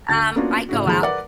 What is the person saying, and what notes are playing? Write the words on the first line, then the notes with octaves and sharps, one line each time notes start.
Um, I go out.
D2 A6
A#3 B3 C#4 D4 F4 F#4
A2 C#3 F#4
D#2 F3 G#3 B5
A#4 B4 D5 F#5